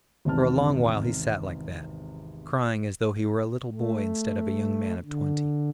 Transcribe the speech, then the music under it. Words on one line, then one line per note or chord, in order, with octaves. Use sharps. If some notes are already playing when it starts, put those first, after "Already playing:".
For a long while he sat like that, crying as though he were a little boy instead of a young man of twenty.
G#1 E2 C3 A5 F6
A3
D3